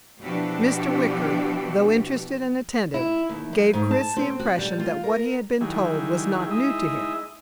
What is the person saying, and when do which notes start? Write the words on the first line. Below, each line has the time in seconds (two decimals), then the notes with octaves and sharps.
Mr. Wicker though interested and attentive, gave Chris the impression that what he had been told was not new to him.
0.20 B2 E3 F3 D4 F#4 G4
2.94 E4
3.29 D#2
3.53 F#2
3.73 G#2
3.91 A5
4.16 C4
4.39 F#4
4.59 G3
4.80 F4
5.03 A#4
5.61 D#3 F#3 G3 E4 G#4
6.51 G#3 D#4 E4 D#5 E5